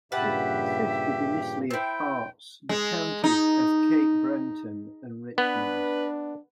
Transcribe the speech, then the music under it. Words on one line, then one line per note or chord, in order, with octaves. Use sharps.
It consisted initially of parts the Counties of Cape Breton and Richmond.
G2 A#2 C#3 G4 B4 E5 F#5 A5
C4 E4 G5
G#3
D#4
B3 D4 B4